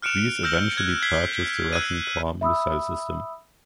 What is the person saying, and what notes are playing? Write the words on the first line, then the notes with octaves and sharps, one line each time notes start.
Greece eventually purchased the Russian Tor missile system.
F6 F#6 C#7 D7 E7 F7
E6 F6 G6 A#6 E7 F#7
F#6 G#6
F6 G#6 B6 C7 F#7 G7
G6 B6
E6 F#6 G#6 D#7
E5 B5 D#6 E6